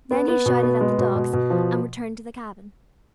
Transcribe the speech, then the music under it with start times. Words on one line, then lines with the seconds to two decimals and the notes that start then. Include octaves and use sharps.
Then he shouted at the dogs, and returned to the cabin.
0.11 B3
0.28 B3
0.46 B2
0.63 B3
0.81 G#3
0.98 B2
1.16 B2
1.33 B2
1.50 F3